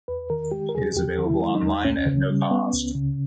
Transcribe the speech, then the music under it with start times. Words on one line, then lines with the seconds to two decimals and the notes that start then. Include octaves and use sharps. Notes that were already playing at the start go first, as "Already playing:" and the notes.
It is available online, at no cost.
0.08 E2 B4
0.30 D#3 A#4
0.52 G#3 G4
0.69 A#4
0.74 E2 G#4
0.96 E2 G4
1.18 D#3
1.26 E4
1.41 G#3
1.55 D#4
1.62 E2
1.85 C#2 C#4
2.06 C#3
2.29 G3
2.51 B3
2.73 C#2
2.95 C#3